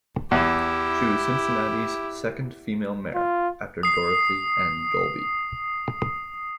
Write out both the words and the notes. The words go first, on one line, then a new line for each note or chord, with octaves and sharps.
She was Cincinnati's second female mayor, after Dorothy N. Dolbey.
E2 E4 G4
F4
D#6 C7